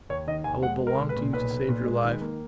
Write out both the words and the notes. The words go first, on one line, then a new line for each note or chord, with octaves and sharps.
I will belong to you to save your life.
D#2 C#5
D#3 D#5
D#2 G#5
G#3 F#5
G#3
A#4
B1
B4
A#2
B1 B4
B1
A#2
G#3
D#3
A#3